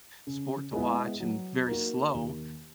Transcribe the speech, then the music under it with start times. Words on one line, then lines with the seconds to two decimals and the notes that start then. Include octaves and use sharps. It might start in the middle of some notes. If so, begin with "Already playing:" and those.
sport to watch and very slow.
0.27 C#3
0.73 G#3 B3 E4 G#4
1.20 F#3
1.67 A#3 D#4 F#4
2.14 D#2